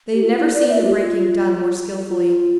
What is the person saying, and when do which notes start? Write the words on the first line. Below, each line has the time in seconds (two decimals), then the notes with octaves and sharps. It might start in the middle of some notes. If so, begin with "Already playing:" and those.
They had never seen a breaking done more skillfully.
0.14 G4
0.23 F4
0.39 E4
0.54 D5
0.70 E5
0.79 F4
0.85 G4
1.00 F4
2.09 F4